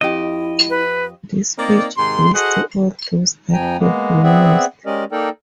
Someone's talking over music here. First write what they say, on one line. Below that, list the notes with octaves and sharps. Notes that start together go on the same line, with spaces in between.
This page lists all those that have been used.
F2 E4 G4 D#5
B4
A#3 C4 D#4 A#4 D5
G#2 C3 D#3 C6
F#4 G#4 A4 C5 D#5 F#5
F2 F3 G5 G#5 A#5
G#3 A#3 B3
B3 C4 G#4 D5 E5 F#5
G#3 C#4 G4 A#4 D5 D#5
A#3 D#4 A4 A#4 D5 G5